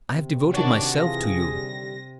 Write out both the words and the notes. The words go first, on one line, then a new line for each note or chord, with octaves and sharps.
I have devoted myself to you.
C3
D#3 D4 F#4 C#5 D5
E3 F4 G#4 A#6
D#2 D3 G3